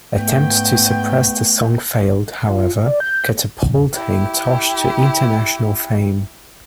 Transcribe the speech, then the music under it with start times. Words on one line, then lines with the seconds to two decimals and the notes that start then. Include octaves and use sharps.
Attempts to suppress the song failed, however, catapulting Tosh to international fame.
0.16 G#2 A3 B3 G5
2.48 F4
2.85 D5
3.00 G6
3.91 E4 G4